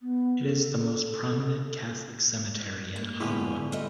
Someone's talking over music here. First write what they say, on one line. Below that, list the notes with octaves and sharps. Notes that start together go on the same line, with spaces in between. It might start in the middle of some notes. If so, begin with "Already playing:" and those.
It is the most prominent Catholic cemetery in Ottawa.
B3
A4
A#3
G#2 D3 B3 C#4 E4 F4 G4
D3
A3 F4 D#5 B5